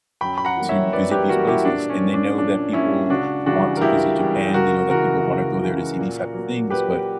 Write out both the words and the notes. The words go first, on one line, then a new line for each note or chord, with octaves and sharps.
to visit these places, and they know that people want to visit Japan, they know that people wanna go there to see these type of things, but
F#2 G5 B5
B5
F#5 A#5
E3 G3 A#3
C#5 E5
F#2 B4 D5
G4 B4
E3 G3 A#3 F#4 A#4
E4 G4
A#2 D4
C#4
F#3 A#3
D4
A#2 D4
F#3 A#3 C#4 E4
C#2 D4 F#4
C#3 E3 G3 D4 F#4
A#4
C#2 E4 G4
C#3 E3 G3
C#2 F#4 A#4
C#3 E3 F#4 A#4
C#2
C#3 E3
A#2
F#3 A#3
A#2 G4 B4